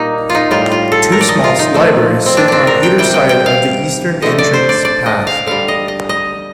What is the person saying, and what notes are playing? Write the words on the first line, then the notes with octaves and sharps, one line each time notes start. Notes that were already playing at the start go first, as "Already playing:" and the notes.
Two small libraries sit on either side of the eastern entrance path.
Already playing: A#2 G3 A#3 D#4
F4
D#4
A2 G3 F4
F4
A4
A#4
D5
D#5
F4
D#4
A#2 F3 A3
C4
D4
C4 D4
A#4
G5
C3 G3 G5
G5
G5
F5
D3 A3 D#5
D5
C5
D5
D5
D#5
F5
D3 G3 F5
D#5
D#5
D#5